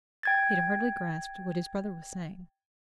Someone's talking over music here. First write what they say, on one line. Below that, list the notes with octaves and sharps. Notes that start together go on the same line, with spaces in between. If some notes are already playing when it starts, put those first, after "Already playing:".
He had hardly grasped what his brother was saying.
G5 G#6 A6